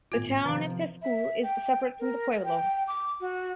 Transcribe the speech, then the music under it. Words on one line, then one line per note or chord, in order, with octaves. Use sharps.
The town of Tesuque is separate from the pueblo.
G#1 A2 B3 F4
C3 D#3 F3 F5
E5
G5
A#4
G5
D6
F#4